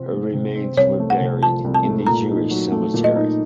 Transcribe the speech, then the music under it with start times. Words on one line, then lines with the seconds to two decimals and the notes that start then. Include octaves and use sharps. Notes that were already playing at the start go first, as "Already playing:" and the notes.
Her remains were buried in the Jewish cemetery.
Already playing: C3 F3 C4
0.13 A3
0.33 C3
0.55 C4
0.77 C2 C#5
1.00 A3
1.10 F#5
1.20 C3
1.42 F3 A5
1.64 C2
1.74 A5
1.85 A3
2.07 A#2 A#5
2.29 D#4
2.51 F#3
2.72 A3
2.94 A#2
3.04 D#5
3.16 D#4